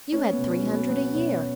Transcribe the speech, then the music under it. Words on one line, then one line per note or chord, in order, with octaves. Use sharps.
You had three hundred a year.'
A3 C#4
B3
B2
C#4
F#3
B3
F#3 B3
B2 C#4